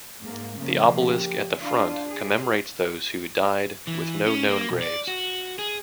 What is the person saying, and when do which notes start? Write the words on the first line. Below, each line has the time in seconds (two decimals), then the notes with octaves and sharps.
The obelisk at the front commemorates those who died with no known graves.
0.21 G#2 A#3
0.59 C#3 F3 A#3
1.05 G4
1.63 D4 F4
2.08 G#4
3.87 E3
4.26 C#4
4.48 A#3
4.69 B1
4.82 D5
5.07 F#4
5.59 G#4